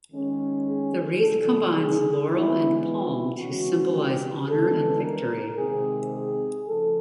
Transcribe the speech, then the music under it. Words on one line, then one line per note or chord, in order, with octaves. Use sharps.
The wreath combines laurel and palm to symbolize honor and victory.
D#3 G#3 C#4
G#4
C3 E3 G3 A4
G#4
E3 G#3 B3 E4
E4
E3 G#3 C#4 F#4
G4
E3 G#3 B3 D4 A4
A#4
C3 D#3 G#3 C4 G#4
G#4
C#3 F3 A3 A4